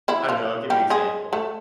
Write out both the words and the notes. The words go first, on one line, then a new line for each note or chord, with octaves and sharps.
I don't know, I'll give you example.
E3 E4
F3 F4
G3 G4
G#3 G#4
A3 A4